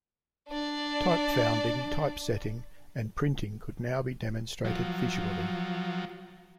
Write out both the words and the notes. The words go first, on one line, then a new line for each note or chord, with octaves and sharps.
Type founding, typesetting and printing could now be demonstrated visually.
D4 D5
F3 F#3